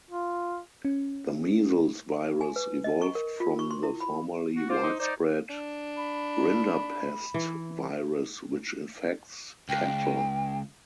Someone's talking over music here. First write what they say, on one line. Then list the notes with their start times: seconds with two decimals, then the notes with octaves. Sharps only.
The measles virus evolved from the formerly widespread rinderpest virus, which infects cattle.
0.11 F4
0.85 C#4
2.41 G#5
2.56 B4
2.84 D#5
3.02 C#6
3.15 A#4
3.40 F4
3.59 C#6
3.71 C6
3.83 E4
4.00 B5
4.57 F#4
4.70 F4 C5 D6
4.84 D#4
5.00 D#4 C5 D5
5.50 D4
5.97 B5
7.34 E3
9.69 C#2 G5